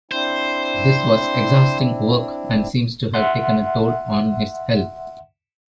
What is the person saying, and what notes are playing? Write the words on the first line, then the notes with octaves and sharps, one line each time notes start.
This was exhausting work and seems to have taken a toll on his health.
C4 D4 E4 C5
E5 F#5 C6